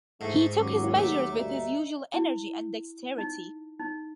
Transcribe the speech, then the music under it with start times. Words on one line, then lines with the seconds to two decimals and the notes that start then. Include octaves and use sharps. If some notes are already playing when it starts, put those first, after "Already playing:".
He took his measures with his usual energy and dexterity.
0.21 G#2 E3 A3
0.56 D#2 F#3 C#4 D6
0.95 A3 D6
1.32 D2 G2 A#2 D#5 E5 A#5
2.14 E4
3.18 D#4
3.80 D#4